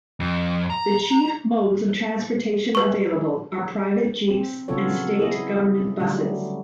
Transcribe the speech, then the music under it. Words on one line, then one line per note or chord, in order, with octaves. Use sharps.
The chief modes of transportation available are private jeeps and state government buses.
F2
A#5
B4 C#6
C4
C#3 F#3 B3 F4 A4 C#5
E4 G#4 D#5
D3 F#3 G3 A3 C#4